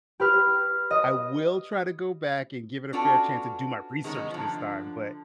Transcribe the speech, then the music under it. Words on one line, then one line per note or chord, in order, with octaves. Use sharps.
I will try to go back and give it a fair chance, and do my research this time, but,
G4 B4 F6
D#5
C#4 D4 F4 F#4 A4 B4
D#3 G#3 B3 C#4 D#4
D3 F3